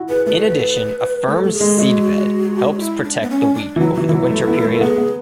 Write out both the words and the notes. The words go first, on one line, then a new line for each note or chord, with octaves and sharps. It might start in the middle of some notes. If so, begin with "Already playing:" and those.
In addition, a firm seedbed helps protect the wheat over the winter period.
Already playing: E4 F#4
G#4 B4
A3 B4
A3 A4
A3 A4
G#4
G#3
G#3 F#4
E4
D4
B3
C#4
D4
E3
F#3 E4
E3 F#4
E3 E4
F#3
A3
B3
A3
B3 G#4
B3